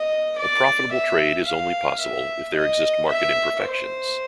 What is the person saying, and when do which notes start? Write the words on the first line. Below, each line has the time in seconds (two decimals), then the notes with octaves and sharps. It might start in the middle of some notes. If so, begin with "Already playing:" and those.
A profitable trade is only possible if there exist market imperfections.
Already playing: D#5
0.38 D5
0.92 E5
1.47 F5
2.00 E5
2.54 D#5
3.08 E5
3.64 C5